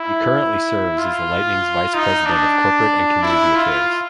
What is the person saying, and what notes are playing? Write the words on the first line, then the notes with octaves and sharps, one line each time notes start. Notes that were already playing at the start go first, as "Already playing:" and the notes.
He currently serves as the Lightning's Vice President of Corporate and Community Affairs.
Already playing: E4
F4
D#4
D4
E4
F4